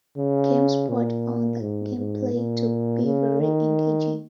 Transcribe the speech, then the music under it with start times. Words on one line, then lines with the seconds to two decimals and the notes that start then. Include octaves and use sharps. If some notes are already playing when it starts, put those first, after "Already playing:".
GameSpot found the gameplay to be very engaging.
0.17 C#3
0.89 A#2
1.61 G#2
1.97 G#2
2.33 A#2
3.04 C#3
3.40 D#3